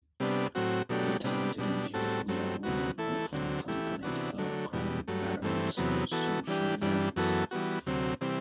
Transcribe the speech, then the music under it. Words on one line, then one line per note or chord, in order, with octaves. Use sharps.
The talented and beautiful young woman often accompanied her grandparents to social events.
C3 G3 B3 D4
A2 F#3 C4 F#4
B2 F#3 A3 D4 G4
C3 G3 B3 D4
B2 G3 D4
A2 G3 C4 F#4 A4
G2 F#3 A3 C4
D2 C3 F#3 B3 F#4
E3 A3 E4 A4
D2 D3 F#3 C4
E3 A3 E4 G4
C3 E3 B3 D4 F#4
D3 F#3 A3
E2 B2 G3
G2 F#3 A3
G2 E3 A3 C4
E2 C3 F#3 B3
E3 B3 F#4 A4
E3 G3 D4 G4
G2 E3 G3 D4
F#2 E3 B3 F#4 A4
E3 G3 B3 F#4
D2 C3 F#3 C4
C3 E3 G3 C4